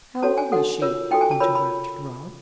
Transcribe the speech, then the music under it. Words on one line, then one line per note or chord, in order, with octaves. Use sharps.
"How old is she?" interrupted Rob.
C#4 F#4 A4 C#5 A5
G#5
D#4 F#4 A4 F#5
F4 A#4 C#5
D#4 F#4 A4 G5
G#5
A5
F4 A#4 C#5 B5
B5